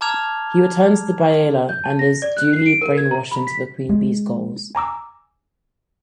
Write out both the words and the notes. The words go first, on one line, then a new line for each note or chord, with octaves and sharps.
He returns to Biayla and is duly brainwashed into the Queen Bee's goals.
A5 A#5 D6 F6 G#6 F7
G6
A5
A#6
D5
F#6
C7
D7
A#4
G#6
A#5
B5
B6
G#3
G#5 A#5 D6 E6